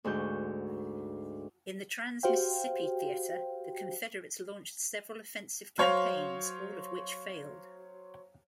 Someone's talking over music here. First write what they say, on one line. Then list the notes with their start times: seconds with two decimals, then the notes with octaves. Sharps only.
In the Trans-Mississippi Theater, the Confederates launched several offensive campaigns, all of which failed.
0.04 D2 G#2 F#4 G6
2.23 F#4 G4 C5 F5 G5
5.78 F#3 C5 C#5 F5 C6 F7